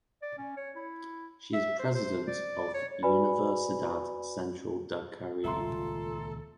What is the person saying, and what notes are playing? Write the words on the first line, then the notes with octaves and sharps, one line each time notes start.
She is president of Universidad Central del Caribe.
D5
C#4
C#5
E4
E5
C5
C5
D5
C#5
F#4 B4 D5 G#5 B5
D#1 C#2 G3 F4 A4 E5 A#5 C6